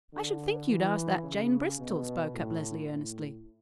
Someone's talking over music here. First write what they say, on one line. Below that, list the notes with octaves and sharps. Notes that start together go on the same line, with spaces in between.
"I should think you'd ask that Jane Bristol," spoke up Leslie earnestly.
D3
E3
C#3
B2
A2
A2